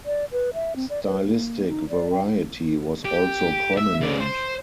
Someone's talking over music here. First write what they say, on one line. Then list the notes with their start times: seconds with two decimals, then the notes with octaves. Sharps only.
Stylistic variety was also prominent.
0.06 D5
0.32 B4
0.54 E5
0.76 C4
0.90 D5
1.06 B4
1.26 A#3
1.68 D#4
1.89 D5
2.11 G5
3.05 G4
3.77 E5
4.01 C#3 D5
4.20 C5